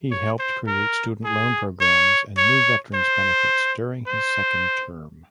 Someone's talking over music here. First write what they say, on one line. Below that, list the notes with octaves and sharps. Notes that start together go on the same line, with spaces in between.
He helped create student loan programs and new veterans benefits during his second term.
C#5
C5
A#4
G#4
C#5
C#5
C5
C5